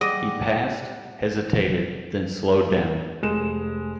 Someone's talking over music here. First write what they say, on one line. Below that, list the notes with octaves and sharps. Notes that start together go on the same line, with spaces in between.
He passed, hesitated, then slowed down.
G3 G#4 D#5 F#5 D6
F1 G#3 E7